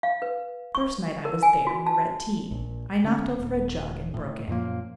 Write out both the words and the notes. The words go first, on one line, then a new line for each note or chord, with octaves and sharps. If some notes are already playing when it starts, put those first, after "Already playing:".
The first night I was there we were at tea. I knocked over a jug and broke it.
F5
B4
C#6
A#4
G#5
F#4
A5
A#1
D3 C#4
D#1
A2
F#2 A#2 F3 A#3